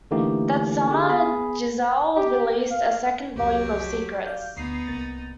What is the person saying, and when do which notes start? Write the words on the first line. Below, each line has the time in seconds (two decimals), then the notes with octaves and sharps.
That summer, Geisel released a second volume of "Secrets".
0.11 D3 E3 A3 A#3 D#4 G4
0.89 D3 G4 G#4
1.09 B3 G#4 B5
2.16 G4
2.70 F5
3.36 C2 F2 F#3 G4
4.25 D5 F5 G6
4.57 D2 B3 D#4 C7
4.87 C2 A#3 A6